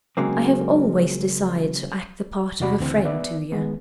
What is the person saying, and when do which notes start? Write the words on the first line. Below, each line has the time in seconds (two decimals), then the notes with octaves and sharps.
I have always desired to act the part of a friend to you.
0.17 C#3 F#3 G#3 A#3 C4
2.60 E2 C3 F#4 D5 B5
2.80 D2 C#3 E3 C4
3.05 B3 D5 E5
3.52 D#3 G#3 B3